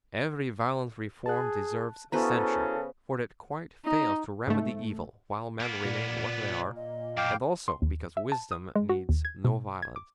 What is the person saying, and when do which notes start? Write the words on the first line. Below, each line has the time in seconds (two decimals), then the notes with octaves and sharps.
Every violent reform deserves censure, for it quite fails to remedy evil while men remain what they are, and also because wisdom needs no violence.
1.26 G#4 A5 F#6
2.12 C#3 B3 E4 F#4 A4 B4 C5 A#5
3.85 D#4
4.47 G#2 A3
5.60 A#3 B3
5.85 A#2 D5
6.76 D#5
7.17 F#2 B2 F5 G5 D6
7.68 C6
7.82 D#2
8.17 E5
8.32 A5
8.51 D#6
8.75 G#3
8.89 F#4
9.09 D#2
9.25 G#6
9.44 B2
9.82 G#6
9.96 D6